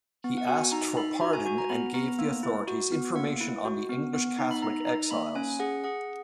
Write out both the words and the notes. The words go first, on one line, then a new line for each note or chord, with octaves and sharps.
He asked for pardon and gave the authorities information on the English Catholic exiles.
B3
F#5
F#4 G#5
D#4 A#5
D#4 B5
F#4 A#5
G#5
F#4 G#5
A#5
B3 B5
B3 A#5
A#3
E4
F#4
B3
A#3 F#5
E4
F#4
B3
B3
D#4
B5
D#4 A#5
D#4 A#5
A#3 B5
C#4 G#5
G#4 F#5
G#4 F#5